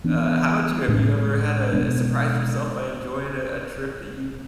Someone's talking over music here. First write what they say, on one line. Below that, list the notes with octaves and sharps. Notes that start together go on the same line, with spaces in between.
Uh, how 'bout you, have you ever had, a surprised yourself by enjoying a a trip, that you
E3 B3 D4
A2 G#3 D4
B2 G#3 B3 D4